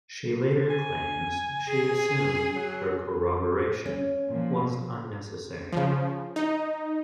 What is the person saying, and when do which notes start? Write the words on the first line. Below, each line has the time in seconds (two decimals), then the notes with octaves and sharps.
She later claims she assumed her corroboration was unnecessary.
0.70 G#5
1.68 G#4
2.56 F#3
3.86 C#4
4.29 A#2 F3
5.72 C#3 F3
6.36 D#4